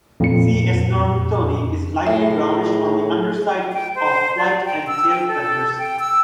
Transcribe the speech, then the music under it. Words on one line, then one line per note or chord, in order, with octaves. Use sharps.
"C. s. normantoni" is lightly brownish on the underside of flight and tail feathers.
F2 A#2 C#7
A2 G#3 E5
G5
C5
D5
G5
E6
G5
A4
G5
E6